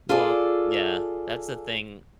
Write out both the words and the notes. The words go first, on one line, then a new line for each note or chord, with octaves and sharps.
Well yeah, that's the thing.
F4 G#4 A4 D5